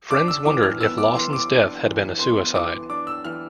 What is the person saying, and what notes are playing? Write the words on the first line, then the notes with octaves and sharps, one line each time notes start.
Friends wondered if Lawson's death had been a suicide.
D4 D6
E6
E3 D6
F6
B3 E6
D6
E3 C6
D6
D4
E3
B3 C6
E3 D6
D4 D6
E6
E3 F6